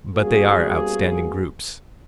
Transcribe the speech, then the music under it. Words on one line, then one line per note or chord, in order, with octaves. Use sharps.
But they are outstanding groups.
G3 A#3 B3 C#4 F#4 G#4